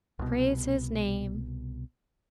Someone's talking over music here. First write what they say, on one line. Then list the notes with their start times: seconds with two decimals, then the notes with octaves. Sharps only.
Praise his name!
0.19 C2 B2